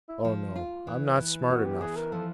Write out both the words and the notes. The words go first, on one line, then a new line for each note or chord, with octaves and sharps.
"Oh, no, I 'm not smart enough."
E4
F3
F4
E3
E3
B3 F#4
G4
E3 G#4
A#4
F3 A4